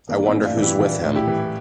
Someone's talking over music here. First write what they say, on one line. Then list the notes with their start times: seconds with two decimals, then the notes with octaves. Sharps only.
I wonder who’s with him.
0.09 E3 A#3 D4
0.26 C4 E4
0.32 A2
0.45 D4 F4
0.57 E3
0.62 E4 G4
0.80 E3 D4 F4
1.04 A2
1.16 E4 G4
1.27 E3